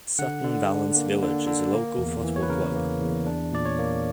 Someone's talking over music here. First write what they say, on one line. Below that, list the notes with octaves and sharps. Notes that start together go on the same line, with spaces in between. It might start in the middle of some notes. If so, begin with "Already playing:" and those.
Sutton Valence Village is a local football club.
D3 F#5
D3
D4
A#3
D3
D3
A#3
E2
E3
C#5
B4
C#3 A#4
A#3
E2
D4
A#2 D5
C#5
A#3